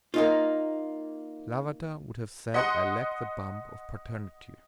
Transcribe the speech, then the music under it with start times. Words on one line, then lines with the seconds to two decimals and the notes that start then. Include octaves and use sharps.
"Lavater would have said I lack the bump of paternity."
0.14 A#3 D#4 F4
2.54 D#5 F#5 C6